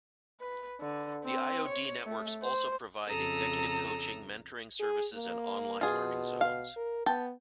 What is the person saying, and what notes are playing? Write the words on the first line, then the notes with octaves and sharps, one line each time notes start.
The IoD networks also provide executive coaching, mentoring services and online learning zones.
B4
D3
C4
C#5
A3
C5
F2 C#3 A4 A#5 D#6 E6
G#4
A#3
B2 F4 G#4
F5
A#4
B3 G5 A5